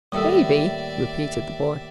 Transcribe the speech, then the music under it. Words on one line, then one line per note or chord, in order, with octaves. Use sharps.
"Baby!" repeated the boy.
D#2 A2 G3 A4 D5 E5